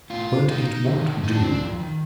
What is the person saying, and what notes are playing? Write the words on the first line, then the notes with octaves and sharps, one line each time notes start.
'But it won't do.
A2 F4
A2 D#4
G2
D3
A2 D#4
D4
C4
D4
F2
D#3